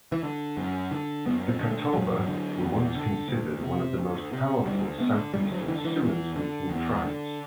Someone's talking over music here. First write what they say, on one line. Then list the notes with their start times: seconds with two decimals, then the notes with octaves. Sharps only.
The Catawba were once considered one of the most powerful Southeastern Siouan-speaking tribes.
0.12 E3
0.23 D3
0.57 F#2
0.91 D3
1.26 F#2 B3
1.48 C4
1.59 D3
1.71 A3
1.93 E2 F#3
2.28 D3
2.61 E2
2.96 D3
3.29 D2
3.63 C3
3.98 D2
4.32 C3
4.66 D2 G3
4.99 D3 B3
5.34 D2 G3
5.51 F#3
5.68 D3 E3
5.85 E3
6.02 E2
6.36 D3
6.70 E2
7.04 D3